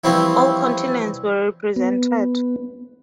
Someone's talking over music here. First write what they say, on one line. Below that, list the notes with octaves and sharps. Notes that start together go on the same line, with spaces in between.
All continents were represented.
E3 F3 G3 C4 C#4 E4
B3